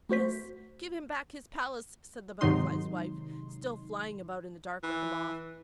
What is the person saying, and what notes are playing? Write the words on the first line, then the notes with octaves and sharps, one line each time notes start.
'Yes, give him back his Palace,' said the Butterfly's Wife, still flying about in the dark like a moth.
A3 F#4 C5 B6
G#2 C3 D#3 F#3 D#4 C6
E3